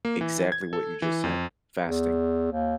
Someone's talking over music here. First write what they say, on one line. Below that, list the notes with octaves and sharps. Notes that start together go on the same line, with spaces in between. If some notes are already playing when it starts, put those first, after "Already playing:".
Exactly what you just said: fasting.
A#3
E3
G#6
A4
E3
F2
E2
D#2